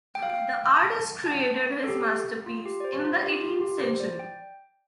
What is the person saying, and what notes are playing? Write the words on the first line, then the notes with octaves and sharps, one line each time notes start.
The artist created his masterpiece in the eighteenth century.
G5
F5
G5
A5
A5
G5
A4
G4
F4
G4
D5
C5
F4
G4
F4
G4
C5
D5
G5